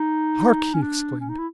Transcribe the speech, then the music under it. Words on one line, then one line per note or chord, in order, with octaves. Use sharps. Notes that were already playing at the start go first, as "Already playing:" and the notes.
"Hark!" he exclaimed.
Already playing: D#4
C#4
D4
C#4
D#4
E4